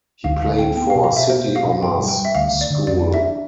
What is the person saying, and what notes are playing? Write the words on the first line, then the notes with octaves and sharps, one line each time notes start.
He played for City Honors School.
D2 F5
D3 F5
C4 G5
B3 G5
F5
B2
F5
B2 E5
B3 C5
D4
F5
B2
G2 G5
G3
G5
G3
E5
D2 F5
D2
D5
D3
F2 D5
B3
E5
D4